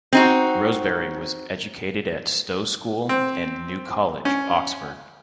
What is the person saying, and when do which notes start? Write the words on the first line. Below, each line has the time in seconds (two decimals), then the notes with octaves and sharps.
Rosebery was educated at Stowe School and New College, Oxford.
0.13 C4 D#4 F#4
3.09 C4
4.25 C#4